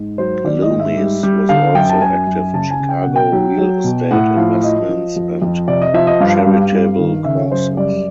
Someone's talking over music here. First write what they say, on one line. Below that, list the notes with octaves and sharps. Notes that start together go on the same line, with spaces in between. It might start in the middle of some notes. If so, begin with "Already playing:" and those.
Loomis was also active in Chicago real estate investments and charitable causes.
Already playing: G#2
F#3 C5
D#3 D5
D#5
G#2
E5
G3
G3
D3 F5
F#2 G5
A5
F#2 G#5
F#2
C#3 A5
G#5
C#3
G5
B2 F#5
G5
F#3
F#3
B2
A2 F#5
F3 F5
F3 D#5
F3
F2
F2
C3 D5
D#5
F3 E5
D#5
G2 F5
G3
G2
D#3
C#3 E5
C#5
F#2 C5
G3 D5